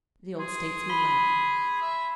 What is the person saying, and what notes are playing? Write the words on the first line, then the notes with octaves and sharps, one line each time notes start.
The old statesman laughed.
G#4 C6
B5 B6 G7
E5